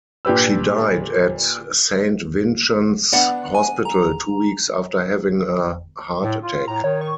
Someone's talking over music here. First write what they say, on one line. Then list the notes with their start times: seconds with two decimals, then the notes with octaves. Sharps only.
She died at Saint Vincent's Hospital, two weeks after having a heart attack.
0.25 A#2 D4 G4 B4 E6
3.12 B3 D4 F#5
3.55 G#5
3.85 A#5
6.23 A2
6.43 F4
6.68 A2 A#5
6.84 D#3 C#5
7.01 C#6